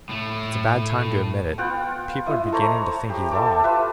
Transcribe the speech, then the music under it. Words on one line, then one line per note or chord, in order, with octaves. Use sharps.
"It's a bad time to admit it--people are beginning to think he's odd."
A2 A3
B3 F4 F#5 G5
E4 D#5
A4 C5 C#5 A#5
G4
A4 A5 D6
F4 B4 E5